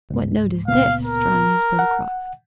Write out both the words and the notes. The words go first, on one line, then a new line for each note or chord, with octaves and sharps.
"What note is this?" drawing his bow across.
C#2 G#2
C#2 A#2 B3 F5
A#4
F#5